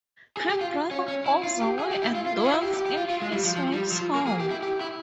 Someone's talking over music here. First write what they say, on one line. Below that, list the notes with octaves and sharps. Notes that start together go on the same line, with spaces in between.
Her brother goes away and dwells in his wife's home.
G#4
G4
F4
C#4
C#4
E4
F4
G4
G#4
G4
E4
F4
F4
E4
F4
E4
G4
G4
G4
F4
F4
G#3
G3
F3
F3
G3
F3
A#3
G#4
G4
E4
G4
E4